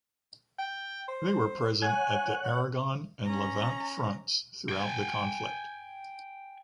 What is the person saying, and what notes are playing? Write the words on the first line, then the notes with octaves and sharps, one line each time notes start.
They were present at the Aragon and Levant fronts throughout the conflict.
G5
C5
C#5 F#5 G#5 F#6
C#4 A#5
G5 G#5